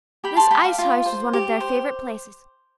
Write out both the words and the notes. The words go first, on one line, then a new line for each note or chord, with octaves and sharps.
This ice-house was one of their favorite places.
G4 G5 B5
A5 C6
G4 G5 B5
F5
F4
C5
G4
C5